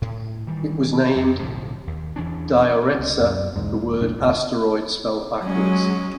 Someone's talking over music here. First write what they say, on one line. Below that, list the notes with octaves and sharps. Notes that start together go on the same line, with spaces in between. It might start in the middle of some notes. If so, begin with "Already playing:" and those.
It was named "Dioretsa", the word "asteroid" spelled backwards.
A2
D#3 E3 G3
F2 C3
B1 A2 D3 F3
D#2
E2 E3 C#4 D4
C#2 C#4
F#2
B1 E2 G#2
D#1
F#1 B1 A2 D4
F1 D2
F#3 G#3 C#4